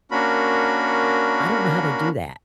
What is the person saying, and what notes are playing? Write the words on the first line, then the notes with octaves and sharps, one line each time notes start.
I don't know how they do that.
A#3 C#4 D4 F#4 A#4 B5